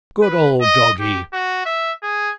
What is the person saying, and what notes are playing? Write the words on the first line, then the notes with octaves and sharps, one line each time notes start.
Good old doggy!
B4
D#5
G4
F#4
E5
G#4